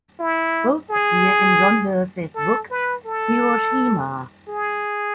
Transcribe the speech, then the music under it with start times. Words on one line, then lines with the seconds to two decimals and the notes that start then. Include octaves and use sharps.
Both appear in John Hersey's book, "Hiroshima".
0.19 E4
0.90 G#4
2.35 A4
2.70 B4
3.06 A4
4.49 G#4